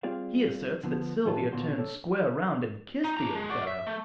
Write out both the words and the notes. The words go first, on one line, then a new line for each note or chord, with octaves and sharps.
He asserts that Sylvia turned square around and kissed the Old Fellow.
G3 C4 F4 G#4 D5 F5
D3 F3 B3
F2 A2 E3 F4 B4 A5
A#2 D3 B3 F#4 C6
D4 A4 C#5
D#4
D4 A#5
G#3
F#4 D5
E5
A3